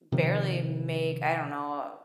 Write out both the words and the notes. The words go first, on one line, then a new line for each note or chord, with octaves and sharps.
barely make, I don't know,
C3 D#3 F3